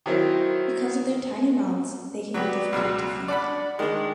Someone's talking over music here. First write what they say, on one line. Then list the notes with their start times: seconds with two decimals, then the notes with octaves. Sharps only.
Because of their tiny mouths, they can be difficult to feed.
0.06 D#3 F#3 C4 E4 A#4
2.34 F#3 B3 G4 D5
2.73 C#2 B2 F#3
3.28 D4 D5 F#5 B5
3.79 D#3 G#3 D4